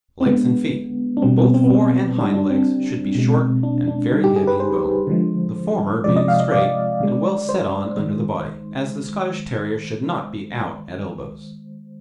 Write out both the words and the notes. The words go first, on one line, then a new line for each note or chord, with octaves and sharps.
LEGS AND FEET--Both fore and hind legs should be short and very heavy in bone, the former being straight and well set on under the body, as the Scottish Terrier should not be out at elbows.
C4
D3 G#3 B3
D4
B2 G3 C4
B3
C4
B3
C4
D3 G3 D4
D4
C4
B2 G#3
D4
D4
D3 G3 D#4
G4
G#4
B4
C5
D3 F3 G#3
C3 F3 G#3 D5
D#5
F5
D#5
D5
D3 G#3
C5
D#3 G#3